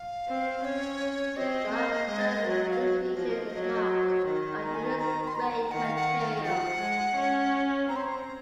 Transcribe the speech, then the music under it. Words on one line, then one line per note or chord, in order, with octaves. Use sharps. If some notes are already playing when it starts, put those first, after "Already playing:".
The dark surface in this region is marked by Euler's ray material.
Already playing: F5
C4
C#4 C#5
C4 D#5
A#3
G#3
F#3
F5
F#3 D#5
F3
F#3
C5
C#5
D#3 D#5
A#5
G#5
A#5
A#5
C6
A#5
D#3 F#5
F5
F#5
F5
F3 F#5
G#3
C#4
C4 A#5
C6
A#5